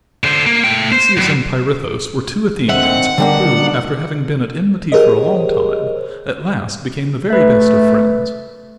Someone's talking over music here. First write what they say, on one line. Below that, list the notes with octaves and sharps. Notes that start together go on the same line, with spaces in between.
Theseus and Pirithous were two Athenians, who, after having been at enmity for a long time at last became the very best of friends.
D3 C5
A#3
A3 G5
C5
F#3 G3
D3 D#3 C4 E5 F#5
D3 D#3 G3 A#3 B3 D4
G4 G#4 A#4 C5 C#5 D#5
A3 B4 E5